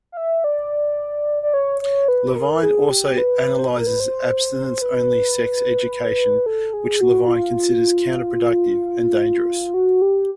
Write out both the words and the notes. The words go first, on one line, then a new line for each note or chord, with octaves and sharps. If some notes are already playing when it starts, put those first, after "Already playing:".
Levine also analyzes abstinence-only sex education, which Levine considers counter-productive and dangerous.
F5
E5
D5
D5
C#5
C#5
B4
A#4
G#4
G4
B4
C5
B4
A#4
B4
C5
B4
A4
G#4
F#4
F4
F#4
G4